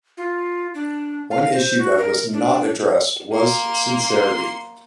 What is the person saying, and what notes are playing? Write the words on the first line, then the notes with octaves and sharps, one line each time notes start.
One issue that was not addressed was sincerity.
F4
D4
F5
C5
F#4
A#4
D4
A#3 C6